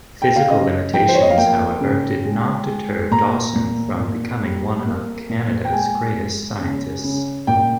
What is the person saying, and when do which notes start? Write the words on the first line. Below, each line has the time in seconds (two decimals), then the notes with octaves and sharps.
Physical limitations, however, did not deter Dawson from becoming one of Canada's greatest scientists.
0.22 G5
0.36 F5
0.50 C#3 D#5
0.93 F3 G5
1.09 C5
1.15 C#5
1.22 D#5
1.30 F5
1.37 A#3 G5
1.81 C#3
2.25 G#3
2.68 G#3
3.11 A#2 A#5
3.55 A#2
3.99 A#2
4.43 G3
4.86 A#3
5.29 A#2
5.65 G5
5.73 G#3 G#5
6.16 G#3
6.60 C#3
7.04 C#3
7.47 A#2 G5